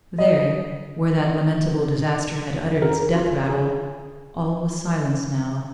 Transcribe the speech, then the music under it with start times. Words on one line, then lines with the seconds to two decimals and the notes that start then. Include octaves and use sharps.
There, where that lamentable disaster had uttered its death-rattle, all was silence now.
0.18 D#5
2.82 A#4
3.15 F4
3.47 G#4